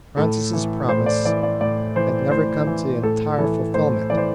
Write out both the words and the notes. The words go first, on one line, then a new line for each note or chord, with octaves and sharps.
Francis's promise had never come to entire fulfilment.
A2 A4
E3
A2 C5
D5
E3 D5
D5
A2 D5
E3 C5
A2 C5
E3
A2 A4
E3 A4
A2 C5
E3 D5
C5